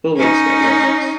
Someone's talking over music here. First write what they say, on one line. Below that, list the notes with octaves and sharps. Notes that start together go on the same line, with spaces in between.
Full list at reference.
C#4 D#4